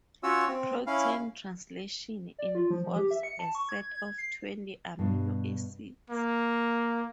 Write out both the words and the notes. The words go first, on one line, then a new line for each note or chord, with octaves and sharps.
Protein translation involves a set of twenty amino acids.
C#4 F4 F#4 C#5 E6
C4
C#4 E4 F5
D5
F4
F3
F3
G4
E5
C#7
A5
C#6
G#6
G#6
C7
G2 B2
A#3